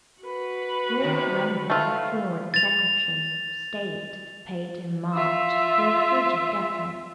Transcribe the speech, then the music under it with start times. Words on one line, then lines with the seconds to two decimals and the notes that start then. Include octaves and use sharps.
Lord Grenville--Foreign Secretary of State--paid him marked, though frigid deference.
0.21 F#4 B4
1.00 C3 D#3
1.70 A2 A3 F4
2.54 A6 F7
5.13 F4 E5